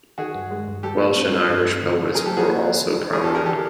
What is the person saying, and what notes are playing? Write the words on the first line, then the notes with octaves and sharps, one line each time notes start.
Welsh and Irish poets were also prominent.
D#3 F#4 G#4
G2
G#3
G2
G3 G4 A4
A#2
C4
G3
G2
A3
D3
F#3
F#3 G#4 A#4
G4 A4
A#3
F#4 G#4
A#3
F#3
D3
D3
D3 G#4 A#4
G4 A4
D3
G#4 A#4
E3 G4 A4